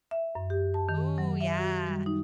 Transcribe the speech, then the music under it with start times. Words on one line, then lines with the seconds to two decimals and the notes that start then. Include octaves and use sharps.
Ooh, yeah.
0.11 E5
0.35 F#2
0.50 G4
0.74 A5
0.89 D#3
1.18 F#3
1.41 E5
1.58 F#4
1.87 G3
2.06 D#4